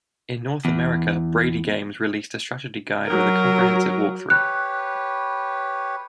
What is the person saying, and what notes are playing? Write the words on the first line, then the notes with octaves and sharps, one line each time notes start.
In North America, BradyGames released a strategy guide with a comprehensive walkthrough.
E2
F#3 A#4
G4 B4 C#5 F#6